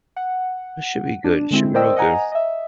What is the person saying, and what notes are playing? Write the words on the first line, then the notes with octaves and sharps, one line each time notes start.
it should be good. It should be real good.
F#5
D4
D3 G#3 C4 E4
A#4 C5 D5 D#5 G5 E6
D#5 F#5 G#5 A#5
D#5 E5